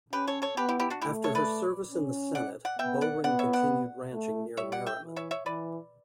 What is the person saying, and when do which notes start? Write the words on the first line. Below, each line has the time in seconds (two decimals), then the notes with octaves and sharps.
After her service in the Senate, Bowring continued ranching near Merriman.
0.13 C#4 G4 B4
0.27 A4 C#5
0.42 A4 C#5
0.57 B3 G4 B4
0.69 E4 G4
0.80 E4 G4
0.90 D4 F#4
1.01 A3 E4 G4
1.24 A4 C#5
1.35 B4 D5
1.91 C#4
2.35 D5 F#5
2.65 D5 F#5
2.79 B3 E5 G5
3.01 D5 F#5
3.24 B3 D5 F#5
3.39 C#5 E5
3.53 D5 F#5
4.13 A3
4.57 G3 C#5 E5
4.72 D5 F#5
4.86 E5 G5
5.01 E3
5.16 C#5 E5
5.31 C#5 E5
5.46 E3 B4 D5